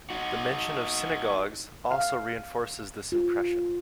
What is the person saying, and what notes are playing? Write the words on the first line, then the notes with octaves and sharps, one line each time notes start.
The mention of synagogues also reinforces this impression.
D#4 F#4
F5
F4